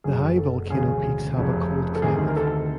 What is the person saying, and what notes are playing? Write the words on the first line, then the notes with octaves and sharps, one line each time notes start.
The high volcano peaks have a cold climate.
F#1 F#2 C#3 G#4
A4
E1 D2 C#3 G#4
F1 F2 C#3
A4
D2 C3 D#3 G#4
A#4
A4